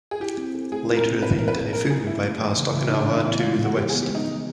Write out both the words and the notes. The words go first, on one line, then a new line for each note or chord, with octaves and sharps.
Later, the typhoon bypassed Okinawa to the west.
G#4
E4 G4
C4
A4
A3 G#4
E4
A#4
C4
D#4 B4
A#3 A#4
B4
G#4
F#3 A#4
D#4 G#4
A#3 E4
A3
E3
C#3
C#3 E4
D#4
A3
D4
E3 D#4
B3 E4
F4
G#3
F4
D#4 F#4
F3 G4
G#4
B3
G4
G#3 D#4
G#3